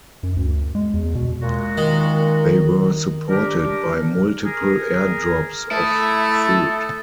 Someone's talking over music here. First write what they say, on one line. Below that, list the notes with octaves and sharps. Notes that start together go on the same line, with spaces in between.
They were supported by multiple air drops of food.
F#2
D2
G#3
E2
B2
A#2 G#3 F#4
D#3
D4 G4 A#4
G#4 A#4
A3 E4 A4 D#6